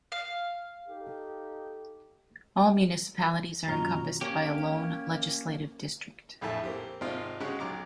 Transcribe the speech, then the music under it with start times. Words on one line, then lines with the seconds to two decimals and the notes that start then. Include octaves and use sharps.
All municipalities are encompassed by a lone legislative district.
0.12 F5
0.89 D#4 G4 A4
3.67 F#2 B2 D#3 A#3 F4 A#5
4.21 A#3 C#4 G4
6.41 A#1 F2 A2 A3 G#5 A5
6.64 A#3 C4 G4
7.01 G#1 C3 C4 F4 D#5
7.40 C#3 G#3 F#4 G4 C#5
7.60 B1 A#5 D6